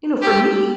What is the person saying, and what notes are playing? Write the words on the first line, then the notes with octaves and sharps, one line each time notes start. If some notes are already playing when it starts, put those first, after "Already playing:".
You know, for me,
G4